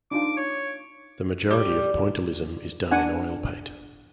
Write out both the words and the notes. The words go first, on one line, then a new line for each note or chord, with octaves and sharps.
The majority of Pointillism is done in oil paint.
D4 D#4 F4 D6
C#5
G3
D4 F#5 G#5